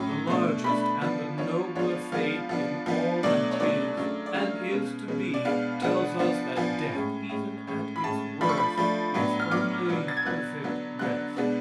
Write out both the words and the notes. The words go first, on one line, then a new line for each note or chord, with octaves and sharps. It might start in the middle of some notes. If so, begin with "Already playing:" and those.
The largest and the nobler faith in all that is, and is to be, tells us that death, even at its worst, is only perfect rest.
Already playing: A2 F#3 C#4
B2 A3 D4
B2 A3 D4 B5
F3 B3 D4
F3 B3 D4 C#5
F3 G#3 B3 D4 C#5
F3 G#3 B3 D4 F5
F3 B3 D4
F3 B3 D4
B2 F#3 A3 D4 D5
C#5
B2 F#3 A3 D4 D5
C#3 F#3 A3 D4
D5
C#3 F#3 A3 D4 F5
B2 G#3 C#4
B2 G#3 C#4
D5
B2 G#3 B3 D4 F5
B2 G#3 B3 D4 F#5
F3 B3 D4
F3 B3 D4 G#5
A2 G#3 C#4
A2 G#3 C#4
A2 G#3 C#4
B5
A2 G#3 C#4 A5
F3 A3 D4 B5
C#6
B5
F3 A3 D4
A2 F#3 B3 D4
F6
A2 F#3 B3 D4 D6
B2 F#3 B3 D4
A6
G#6
B2 F#3 B3 D4 F#6
D3 F#3 B3 D4
D3 F#3 B3 D4 F#6
B2 G#3 B3 D4